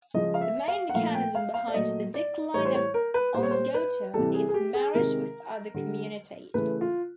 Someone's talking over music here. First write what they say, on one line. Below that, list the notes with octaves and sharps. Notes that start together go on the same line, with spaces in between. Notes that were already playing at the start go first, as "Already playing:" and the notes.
The main mechanism behind the decline of Ongota is marriage with other communities.
C#3 F3 G#3 D#5
F5
E5
F5
F#5
A#2 F3 A3 F5
G5
F5
F5
D5
A#2 F#3 A3 D#5
D5
A2 E3 G3 C#5
C5
C#5
A#4
B4
A#2 G3 C5
C#5
C5
B4
C3 E3 G3 A4
G#4
G#4
G4
G#4
C3 D#3 G#3 A#4
D3 G3
C#3 E3 A3 B4
F4